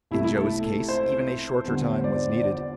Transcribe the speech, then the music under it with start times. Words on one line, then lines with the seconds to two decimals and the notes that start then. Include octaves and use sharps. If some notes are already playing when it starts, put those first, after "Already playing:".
In Joe's case even a shorter time was needed.
0.11 C2 C3 A3 E4
0.24 E4
0.36 A4
0.89 C5
1.65 E2 D3 G3
2.04 D5
2.30 D5
2.43 D5